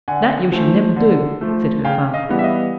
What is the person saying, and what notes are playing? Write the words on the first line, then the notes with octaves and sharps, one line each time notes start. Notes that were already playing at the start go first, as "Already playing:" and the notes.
"That you shall never do!" said her father.
D3 F#5 G#5
F3 A3
D3
F3 A3
C#3 F5 G5
D#5 F5
E3 G3 B3
E5
D#5 F5